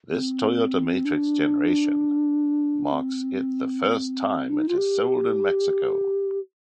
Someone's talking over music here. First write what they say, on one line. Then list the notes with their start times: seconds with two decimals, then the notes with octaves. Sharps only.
This Toyota Matrix generation marks it the first time it is sold in Mexico.
0.11 C4
1.05 D4
2.92 C4
4.49 D4
4.59 D#4
4.68 F4
4.77 G4